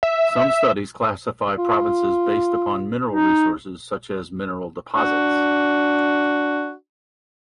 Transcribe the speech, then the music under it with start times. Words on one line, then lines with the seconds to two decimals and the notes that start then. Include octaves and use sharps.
Some studies classify provinces based upon mineral resources, such as mineral deposits.
0.03 E5
1.58 F4
3.08 D#4
4.96 D4 F#4